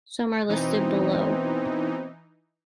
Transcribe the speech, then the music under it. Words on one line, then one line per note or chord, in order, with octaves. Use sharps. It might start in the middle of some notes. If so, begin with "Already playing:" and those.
Some are listed below.
B2 E3 C4 D#4